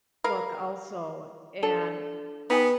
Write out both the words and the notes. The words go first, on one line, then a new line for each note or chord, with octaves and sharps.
look also. And
A#4 B4 F5
D4 A4
B3 D#4 G4 G#4